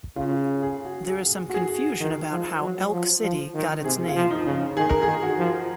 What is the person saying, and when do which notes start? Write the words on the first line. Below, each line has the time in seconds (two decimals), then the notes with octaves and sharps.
There is some confusion about how Elk City got its name.
0.16 C#3 F4
0.62 G#4
0.85 F#4
1.09 G#4
1.50 F#4
1.54 G#4
2.00 D#3
2.32 F3
2.62 F#3
2.92 F3
3.24 F3
3.54 D#3
3.84 C3 G#4
4.08 F4
4.15 F3
4.31 D#4
4.46 C#3
4.77 D#3 G#4
4.89 A#4
5.02 G#4
5.07 D#3
5.23 F#4
5.38 F3